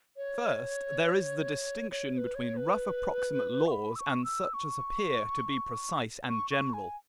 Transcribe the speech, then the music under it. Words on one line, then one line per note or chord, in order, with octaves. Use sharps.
First, there is the distinction between rough approximate laws and such as appear to be precise and general.
C#5
C#5
C#5
B4
C#5
B4
C#6
B5
E6
C#6
E6
C#6
C#6
C#6
G#5